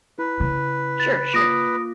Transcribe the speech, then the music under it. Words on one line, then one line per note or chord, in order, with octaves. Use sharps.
Sure sure.
E4 B4
C#3
A6
A#3 F4 D6 D#6 A#6 D7